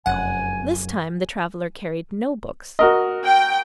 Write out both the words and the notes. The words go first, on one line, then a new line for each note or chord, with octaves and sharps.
This time the traveller carried no books.
F1 F#2 F#5 G#5
F#4 A#4 D#5
G5